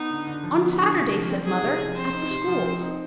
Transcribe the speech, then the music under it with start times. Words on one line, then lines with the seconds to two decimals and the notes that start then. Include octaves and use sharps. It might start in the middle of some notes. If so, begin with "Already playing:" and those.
'On Saturday,' said mother, 'at the schools.
Already playing: B3 D#4
0.10 D3
0.27 D3
0.44 F3
0.61 B3
0.78 D3
0.95 C3
1.12 F3
1.29 C4
1.46 D#4 G#4
1.62 C3
1.80 F3
1.97 C4 C5
2.14 D#4
2.30 C3
2.48 F3
2.65 C4
2.81 D#4